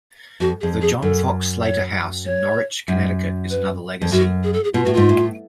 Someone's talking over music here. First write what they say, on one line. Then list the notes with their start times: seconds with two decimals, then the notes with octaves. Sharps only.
The John Fox Slater House in Norwich, Connecticut is another legacy.
0.40 F2 F#4
0.61 F2 G#4
0.82 G#4
1.02 F#2 A4
1.64 C#5
2.26 C#5
2.88 F#2
3.50 B4
4.01 F2
4.12 F#2 F#4
4.44 G#4
4.53 A4
4.64 G#4
4.74 B2 F4
4.84 A2 F#4
4.93 G#2 F4
5.09 A2